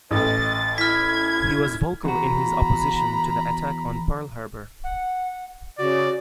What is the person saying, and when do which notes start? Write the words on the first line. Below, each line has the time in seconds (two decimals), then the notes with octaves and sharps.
He was vocal in his opposition to the attack on Pearl Harbor.
0.11 A1 A2 D#5 A6
0.78 E4 F6 G#6 B6
2.05 E2 F#4 A#5 B5
4.84 F#5
5.79 C#3 F#4 D5